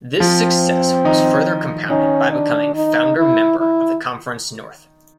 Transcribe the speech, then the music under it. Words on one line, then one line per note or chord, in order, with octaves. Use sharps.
This success was further compounded by becoming founder member of the Conference North.
F3 C4 F4
D#3 D#4
D#3 C#4 D#4
D4
D#4
E4
E4